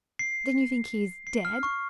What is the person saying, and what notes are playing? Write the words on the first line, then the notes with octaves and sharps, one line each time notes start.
"Then you think he's--dead?"
C7
C7
F6
C#6